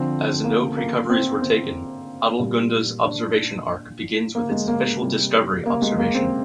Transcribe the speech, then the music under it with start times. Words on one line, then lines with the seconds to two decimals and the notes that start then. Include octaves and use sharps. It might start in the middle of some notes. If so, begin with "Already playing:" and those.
As no precoveries were taken, "Adelgunde"s observation arc begins with its official discovery observation.
Already playing: D3 F3 C4
0.44 A#3
0.77 A#3
1.10 C4
1.42 C4
2.39 A#2 G3
3.05 D4
4.35 A#3
4.51 G#3
4.68 A#3
4.84 A#3
5.01 C3 G3
5.66 A#3
5.82 G#3
5.98 A#3
6.14 C4